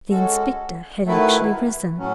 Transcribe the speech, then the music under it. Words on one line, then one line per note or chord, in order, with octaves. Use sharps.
The inspector had actually risen.
G#3 C#4 F#4 A4
D#3 F#3 A3 E4 B4
A2 F#3 C#4